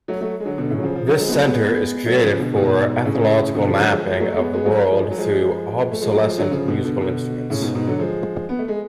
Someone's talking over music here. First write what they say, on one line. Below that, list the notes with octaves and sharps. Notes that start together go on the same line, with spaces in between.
This centre is created for ethnological mapping of the world through obsolescent musical instruments.
F#3 A3
F#3 A3
G#3
D3 F#3
B2 D3
A2 C#3
F#3
C#3 F3
C#3 F3
D3 F#3
F3 G#3
B3
F#3 A3
G#3 B3
F#3 A3
C#3 F3
B2 D3
G#2 B2
A2 C#3
B2 D3
C#3 F3
D3 F#3
F3 G#3
F3 G#3
F#3 A3
A3
G#3 B3
G#3 B3
F#3 A3
F3 G#3
G#3
F#3
F3 G#3
A3
F3 G#3
F#3 A3
F3 G#3
D3 F#3
C#3 F3
B2 D3
B2 D3
B2 D3
A2 C#3
G#2 B2
G#2 B2
D3 F#3
F3 G#3
B3
A3
G#3